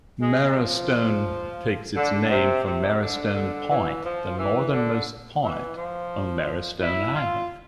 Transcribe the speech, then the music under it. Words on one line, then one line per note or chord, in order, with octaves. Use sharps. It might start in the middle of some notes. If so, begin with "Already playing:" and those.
Marrowstone takes its name from Marrowstone Point, the northernmost point on Marrowstone Island.
G#3
F3
D3
C3
C3
D3
D3
E3
F3
E3
D3
E3
F3
E4
F4